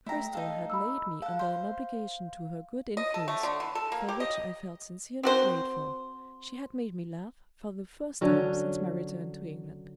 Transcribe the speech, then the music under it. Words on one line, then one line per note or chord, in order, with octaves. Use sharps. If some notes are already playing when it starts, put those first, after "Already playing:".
Cristel had laid me under an obligation to her good influence for which I felt sincerely grateful--she had made me laugh, for the first time since my return to England.
A3 E4 G5 A#5
D#4 A4 F5
B5 E6
A4 F5 F#5
C5
D#5
A4
A3
D3
E3
A4
A#3
G4
D#5
C4 F#4 C5
D3 F#3 C#4